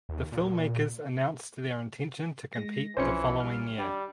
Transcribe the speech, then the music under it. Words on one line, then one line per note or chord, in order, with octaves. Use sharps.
The filmmakers announced their intention to compete the following year.
D#2
A#2
G#3 A#6
B1 E3 F3 C#4 C5 C#7
G3 F6
G3 D4